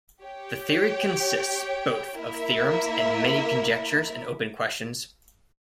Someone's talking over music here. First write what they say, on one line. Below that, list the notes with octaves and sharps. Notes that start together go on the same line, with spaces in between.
The theory consists both of theorems and many conjectures and open questions.
G4 C#5 G5
A#3 E4 A#4 E5